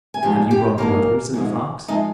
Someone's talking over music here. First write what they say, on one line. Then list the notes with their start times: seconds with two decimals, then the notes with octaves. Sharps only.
'Have you brought the wether?' said the Fox.
0.14 G#5
0.23 G#2 F3 G#3 G4 G5
0.51 G4 G5
0.78 G#2 F3 G#3 A#3 A#4
1.34 G#2 F3 G#3
1.88 F3 G#3 D#4 D#5